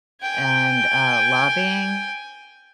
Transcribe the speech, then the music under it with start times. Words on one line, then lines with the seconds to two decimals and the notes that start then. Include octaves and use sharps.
and, uh, lobbying.
0.22 G5 G#5